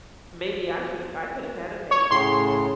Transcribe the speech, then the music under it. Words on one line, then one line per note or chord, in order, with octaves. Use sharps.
maybe I should have I could have had a baby
C#5
A2 C#3 C6